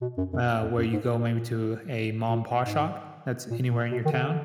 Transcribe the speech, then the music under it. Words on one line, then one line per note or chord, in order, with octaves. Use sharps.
uh, where you go maybe to a ma and pa shop, that's anywhere in your town,
B2
F#2
F#2
F2
F#2
G#2
A#2
A#2
G#2
A#2
A#2
B2
D#3
D3